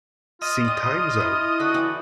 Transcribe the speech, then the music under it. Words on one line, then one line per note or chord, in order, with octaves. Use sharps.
See Time zone.
F4 D#5
D5 G5
E4
D3 F#4 A4 B5
E3 D5 G5